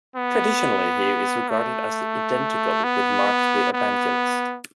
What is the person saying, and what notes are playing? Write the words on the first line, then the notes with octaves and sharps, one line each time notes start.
Traditionally he is regarded as identical with Mark the Evangelist.
B3
A3
B3
B3